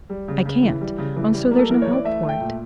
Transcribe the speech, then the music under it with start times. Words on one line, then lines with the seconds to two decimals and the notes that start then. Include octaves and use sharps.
"I can't! and so there's no help for it."
0.10 G3
0.28 C#3
0.45 C#3
0.63 E3
0.81 G3
0.98 C#3
1.16 E3
1.33 G3
1.51 A#3
1.59 A4
1.69 E3 A#4
1.82 C#5
1.87 E3
1.93 D5
2.05 A3 E5
2.23 A3
2.29 G5
2.40 A#2